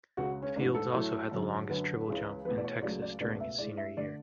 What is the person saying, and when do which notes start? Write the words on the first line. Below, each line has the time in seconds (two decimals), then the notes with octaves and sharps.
Fields also had the longest triple jump in Texas during his senior year.
0.17 C#2 C#3 G#3 F#4
0.42 C#4
0.56 G#2 E3 A3 D4
0.74 A4
0.93 A2 F#3 A3
1.31 F#2 D3 F#3
1.69 F#2 D3 F#3 B4
2.07 C#2 C#3 E3 G#3
2.45 E2 B2 A3 B4
2.57 D5
2.64 C#5
2.82 C#2 C#3 F#3 A3 D5
3.02 D5
3.20 C#2 B2 A3 D5
3.40 E5
3.58 A2 G#3 D5
3.77 E5
3.97 D3 A3 D5